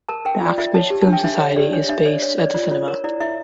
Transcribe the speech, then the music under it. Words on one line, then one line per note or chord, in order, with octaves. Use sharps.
The "Axbridge Film Society" is based at the cinema.
A#4 A5
A#4 G5
F4 D5
F4 E5
C#5 A5
G4
A5
D4
G5
D4 E5
C#5
G4 D5
D4 C#5
D4 E5
C#5 D5
C#5
C#5 D5
F4 D5
F4 C#5
A#4 C#5
E4 D5
E4 E5